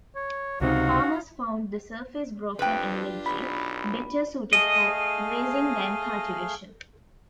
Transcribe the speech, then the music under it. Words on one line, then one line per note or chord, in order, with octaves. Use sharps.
Farmers found the surface broken and ledgy, better suited for grazing than cultivation.
C#5
C#2 C3 D#4 F#4 F5
F2 D4 F4 G4 B4 G5
B1 B5
A3 G#4 D#5 F5